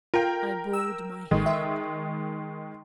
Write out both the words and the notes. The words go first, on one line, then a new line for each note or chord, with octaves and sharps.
I bowed my head.
F4 A#4 G5
E6
A1 D#3 G#3
E5